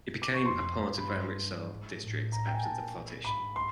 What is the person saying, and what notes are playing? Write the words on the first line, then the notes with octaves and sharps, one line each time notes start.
It became a part of Amritsar district after the partition.
D6
C#6
F2 C6
G2
B5
C6
G#2
A2
A#5
G5
G#5
A#2 A5
G#2 B5
C6